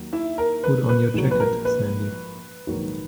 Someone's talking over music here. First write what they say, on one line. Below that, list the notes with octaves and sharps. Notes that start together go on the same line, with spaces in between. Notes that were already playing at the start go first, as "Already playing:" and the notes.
Put on your jacket, Sandy.
Already playing: D#2 D#3 F#3
E4 E5
A#4
B4
B4
A#1 A#2 F#3
B4
A#4
B4
A#1 G#2 D#3 F#3